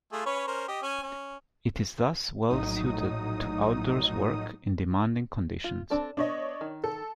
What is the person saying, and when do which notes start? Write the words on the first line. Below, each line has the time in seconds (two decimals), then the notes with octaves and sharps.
It is thus well suited to outdoors work in demanding conditions.
0.13 A3 F4 G#4
0.26 C#4 B4 C#5
0.47 C#4 A#4 C5
0.68 G4 D#5
0.83 C#4 G#5
1.02 C#4
2.50 A#1 A2 F#3 D#4 D#6
5.64 F4
5.90 C4 D4 A4
6.17 B3 D4 C#5 D#5
6.61 D#3
6.84 A4